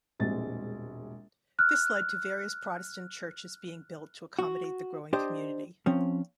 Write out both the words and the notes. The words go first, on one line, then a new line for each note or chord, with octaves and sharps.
This led to various Protestant churches being built to accommodate the growing community.
E1 A#1 G3 G#3 C4 A6
F6 F#6
F#4
D4 G4 C5 D#5
F3 C4 C#4